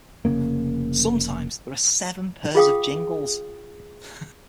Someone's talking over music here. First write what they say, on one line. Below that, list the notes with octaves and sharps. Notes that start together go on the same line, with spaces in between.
Sometimes there are seven pairs of jingles.
F1 F2 C#3 A#3
F4 G#4 F5 G5 D#6